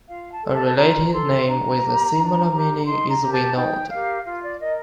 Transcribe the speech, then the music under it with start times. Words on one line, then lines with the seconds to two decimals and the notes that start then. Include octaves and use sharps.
A related name with a similar meaning is Vinod.
0.08 F4 F5
0.32 A5
0.42 A4 C5
0.55 A5
0.66 A5
0.78 F4 A#5
1.12 A4 C5 C6
1.47 D4 A#5
1.81 G4 A#4
2.17 D4
2.51 G4 A#4
2.79 A#5
2.86 D#4 C6
3.09 A#5
3.20 G4
3.26 A#4
3.32 A5
3.56 D#4 G5
3.90 G4 A#4 F5
4.25 F4 F5
4.42 D5
4.60 A#4 D#5